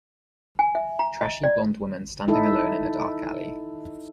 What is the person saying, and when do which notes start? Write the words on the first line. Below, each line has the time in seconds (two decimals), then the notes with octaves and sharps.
Trashy blond woman standing alone in a dark alley.
0.59 G#5
0.75 E5
0.99 A#5
1.21 D#5
1.44 D5
2.28 D#4 E4 A4